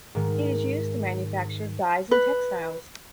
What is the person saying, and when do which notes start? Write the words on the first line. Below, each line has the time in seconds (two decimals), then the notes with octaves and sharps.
It is used to manufacture dyes and textiles.
0.15 G#2 D#3
2.11 B4